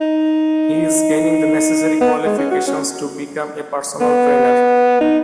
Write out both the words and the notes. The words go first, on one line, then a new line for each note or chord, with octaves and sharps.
He is gaining the necessary qualifications to become a personal trainer.
D#4
B3
G#3
C#4
F#4
C#4
B3
D#4